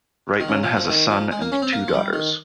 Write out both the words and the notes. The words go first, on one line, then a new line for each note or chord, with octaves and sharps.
Reitman has a son and two daughters.
D#3
C#3
F3
F3
D#3
F3
G#3
A#3
C#4
C4
A#3
F3
G3
D#3